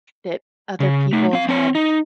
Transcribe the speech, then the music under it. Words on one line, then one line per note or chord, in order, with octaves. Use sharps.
that other people have had
C#3
A3 D#4
C4 F5
C4 C#5
D#4